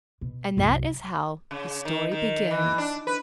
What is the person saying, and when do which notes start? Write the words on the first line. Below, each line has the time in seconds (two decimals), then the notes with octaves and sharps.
And that is how this story begins.
0.21 B2
0.57 C2 F#2
1.51 C#3
1.85 D#3
2.11 D#3
2.51 E3
2.78 D4
3.07 B4